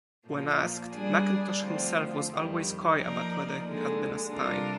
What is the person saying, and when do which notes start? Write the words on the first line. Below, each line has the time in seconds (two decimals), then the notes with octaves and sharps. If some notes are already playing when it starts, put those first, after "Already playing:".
When asked, Mackintosh himself was always coy about whether he had been a spy.
0.25 A#2 F3 A#3
0.92 G3 D4 G#4 D5
1.61 D2 D3 F3 C4 F4
2.28 F2 D#3 G3
2.97 F3 A#3 D#4 A#4 D5
3.64 D#2 D3 G#3 D4
4.31 C3 G3 D4 F4 A#4